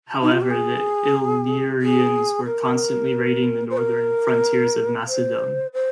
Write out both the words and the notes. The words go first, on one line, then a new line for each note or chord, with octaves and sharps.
However, the Illyrians were constantly raiding the northern frontiers of Macedon.
D#4
F4
G4
G#4
G#4
A#4
C5
A#4
C5
C5